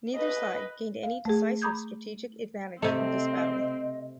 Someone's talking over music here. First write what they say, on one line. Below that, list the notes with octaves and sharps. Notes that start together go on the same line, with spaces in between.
Neither side gained any decisive strategic advantage from this battle.
B4 D#5
F5
A3 G#4
A#5 B5 D6 D#6 G6 G#6
C3 A3 C4 D#5